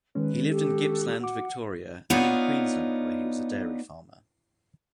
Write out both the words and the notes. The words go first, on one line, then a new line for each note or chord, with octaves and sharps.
He lived in Gippsland, Victoria and in Queensland where he was a dairy farmer.
D#3 G#3 C#4 B4
F#4 G4 A4
F#4 F#5 D6
B3 D4 D#4 F4 C#5